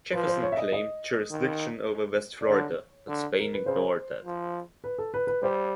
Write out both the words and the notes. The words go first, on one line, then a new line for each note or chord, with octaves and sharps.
Jefferson claimed jurisdiction over West Florida, but Spain ignored that.
F3 B4
C5
C#5
E5
D#5
D#5
D#3
D5
D3 C#5
D3
A#4
B4
C#3 C5
F3
B4
A4
B4
B4
G3 C5